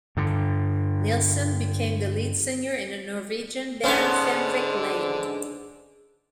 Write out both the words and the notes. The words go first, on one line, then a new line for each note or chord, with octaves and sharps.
Nilsen became the lead singer in the Norwegian band "Fenrik Lane".
G2 D3
G#2 D3 B3 C#4 C5 B5